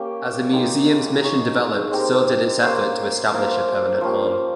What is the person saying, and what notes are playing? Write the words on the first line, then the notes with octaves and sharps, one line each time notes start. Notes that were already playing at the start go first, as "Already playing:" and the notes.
As the museum's mission developed, so did its effort to establish a permanent home.
Already playing: A#3 C#4 G4
G#3 D#4 G4
D#4 G#4 C#5
G#3 C4 G4 A#4
A#3 C#4 G4 C5
F3 A#3 F4 A#4
F3 A#3 C#4 G4